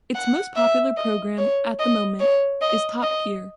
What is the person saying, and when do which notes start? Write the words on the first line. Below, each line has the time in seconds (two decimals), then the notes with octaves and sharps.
Its most popular programme at the moment is "Top Gear".
0.15 F#5
0.56 E5
0.97 D#5
1.38 C#5
1.79 D#5
2.20 C#5
2.62 D#5
3.03 D#5